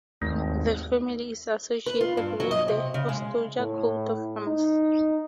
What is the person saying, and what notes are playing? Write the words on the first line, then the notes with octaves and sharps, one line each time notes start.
The family is associated with the Ostoja Coat of Arms.
G#1 D#2 A3
B4
F4
G2
F#3
D#5
C3
C#3
G#3
A2
D#4